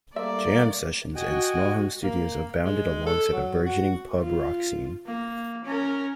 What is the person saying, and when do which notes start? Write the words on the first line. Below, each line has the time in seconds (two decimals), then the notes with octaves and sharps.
Jam sessions and small home studios abounded alongside a burgeoning pub rock scene.
0.16 G3 A3 A#3 D5 E5
1.16 F#4 D#5 G5 G#5
2.03 A#3
2.65 G#3
3.06 A4
3.33 F#3
3.66 F#4
4.19 F4
5.06 A#3
5.65 C#4 A#4